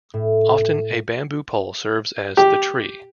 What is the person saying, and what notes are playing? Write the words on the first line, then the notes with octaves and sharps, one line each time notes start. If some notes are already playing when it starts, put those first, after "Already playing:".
Often a bamboo pole serves as the "tree".
A2
G4